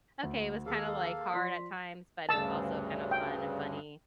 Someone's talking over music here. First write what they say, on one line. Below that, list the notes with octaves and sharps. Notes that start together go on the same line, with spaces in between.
okay, it was kinda like, hard at times, but it was also kinda fun and funny
D2
D#2 A#3 G#4 A4 F5
F3 D5 C6 B6
D2 G2 C#3 A5 E6
G5